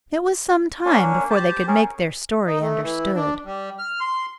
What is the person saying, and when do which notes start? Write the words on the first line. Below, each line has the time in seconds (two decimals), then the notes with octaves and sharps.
It was some time before they could make their story understood.
0.86 A#3 C#4 D4
1.30 G4 C5 A5
1.68 C#4 G#4 A#4
2.46 D#4
2.60 A3
2.82 E3
3.15 D4
3.45 G3
3.79 F6
4.01 C6